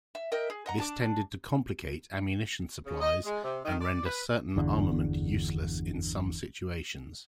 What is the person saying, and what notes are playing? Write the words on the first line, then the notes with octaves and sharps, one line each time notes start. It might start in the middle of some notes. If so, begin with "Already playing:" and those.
This tended to complicate ammunition supplies and render certain armament useless in some situations.
E5
A#4 D#5 E5 G5
G#4
D#5 F#5 A#5
D4 A5 D6
C#3
D#5
G#3
C3
D#3
D5
B4
G1 E2 D3